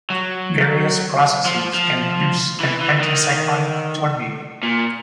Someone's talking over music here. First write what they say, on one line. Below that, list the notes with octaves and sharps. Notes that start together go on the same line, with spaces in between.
Various processes can produce an anticyclonic tornado.
F#3
F3
F3
E3
E3
D#3
A#2